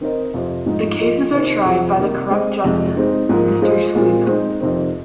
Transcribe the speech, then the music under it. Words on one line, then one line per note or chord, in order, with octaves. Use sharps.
The cases are tried by the corrupt justice, Mr. Squeezum.
D#3 C4 D#4 A#4 D#5
F2 C3 F3 C4 F4
G#2 F3 G#3 D#4
F3 A#3 F4 A#4 D#5
C3 D#3 C4 D#4 C5
F2 C3 F3 C4 G#4
C3 D#3 A#3 D#4
G#3 C4 G#4 D#5
F2 C3 G#3
G#3 C4 D#4
G#2 F3 A#3
G#3 F4 G#4 C5 D#5
A#2 G#3 C4 F4
G#3 C4 D#4 C5
F2 C3 D#3 C4